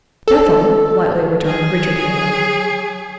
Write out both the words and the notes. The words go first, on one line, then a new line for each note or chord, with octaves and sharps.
"Bethel!" lightly returned Richard Hare.
A4
F#3 G#4